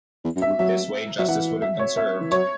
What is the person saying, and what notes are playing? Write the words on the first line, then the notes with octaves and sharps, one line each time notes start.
This way, justice would have been served.
E2
F#2
E5
G2
F#3 E5
F#3 E5
E3 F#5
E5
C#5
E5
E3
F#3 C#5